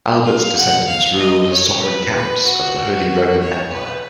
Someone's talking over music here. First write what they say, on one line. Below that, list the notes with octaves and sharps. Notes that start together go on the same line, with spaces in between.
Albert's descendants ruled as sovereign counts of the Holy Roman Empire.
F5
F#5
F5
D#5
C#5
B4
B4
F#4
C#5
B4